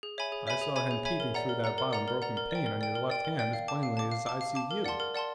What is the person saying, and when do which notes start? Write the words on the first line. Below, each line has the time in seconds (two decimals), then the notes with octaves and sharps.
I saw him peeping through that bottom broken pane on your left hand as plainly as I see you.
0.03 G#4
0.18 C#5 E5 G#5 B5
0.32 G#4
0.47 C#5 E5 G#5 B5
0.61 G#4
0.76 C#5 E5 G#5 B5
0.91 G#4
1.05 C#5 E5 G#5 B5
1.20 A#4
1.34 D5 F#5 A#5
1.49 A#4
1.64 D5 F#5 A#5
1.78 A#4
1.93 D5 F#5 A#5
2.08 A#4
2.22 D5 F#5 A#5
2.37 A#4
2.51 D5 G5
2.66 A#4
2.81 D5 G5
2.95 A#4
3.10 D5 G5
3.25 A#4
3.39 D5 G5
3.53 F5
3.68 A5 D6
3.83 F5
3.97 A5 D6
4.12 F5
4.26 A5 D6
4.41 F5
4.55 A5 D6
4.71 A#4
4.84 D5 F#5 A5 C6
5.00 A#4
5.15 D5 F#5 A5 C6